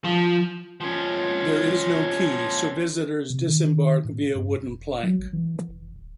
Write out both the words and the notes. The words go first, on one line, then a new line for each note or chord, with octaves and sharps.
There is no quay, so visitors disembark via wooden plank.
F3
F3 C#4
C3
D#3
A2
G2
F1
F#3
A1
E3
F1
D1